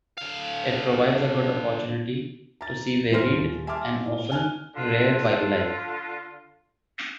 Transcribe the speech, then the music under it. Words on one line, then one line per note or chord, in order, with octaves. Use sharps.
It provides a good opportunity to see varied and often rare wildlife.
D3 F5
A#5 A6
E1 A2 C5 C6 F6 A#6
D#1
E5 G#5 A5 C6 D6 F6
A2
G#5 F6 F#6
D3 F4